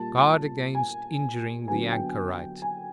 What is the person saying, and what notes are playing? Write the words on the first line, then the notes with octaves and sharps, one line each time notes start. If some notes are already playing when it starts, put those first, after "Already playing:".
Guard against injuring the anchorite!
Already playing: A#2 G3 A#3 A5
G#5
D3 F#3 B3 G#5
G5
G#5